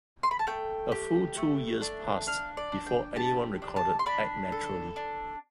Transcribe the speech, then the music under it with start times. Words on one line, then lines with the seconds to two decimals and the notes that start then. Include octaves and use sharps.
A full two years passed before anyone recorded "Act Naturally".
0.23 C6
0.31 B5
0.39 A5
0.47 A3 G5
0.92 G4
1.37 A3
1.81 D4
2.27 D4 F5
2.57 D5
2.72 D4
2.87 G5
3.16 G4 A5
3.62 D4
3.76 A5
3.99 C6
4.06 D4 B5
4.52 A4
4.96 D4